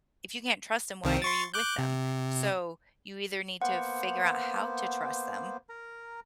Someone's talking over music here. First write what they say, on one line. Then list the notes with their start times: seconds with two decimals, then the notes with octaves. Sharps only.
if you can't trust 'em, why are you with them? So, you either need to figure out how to trust them
1.04 C2 D#3 C4
1.22 C6 C#6 A6
1.54 D6 F#6 G6
1.78 C3
3.62 A#3 B3 C5 F#5
5.69 A#4 A#5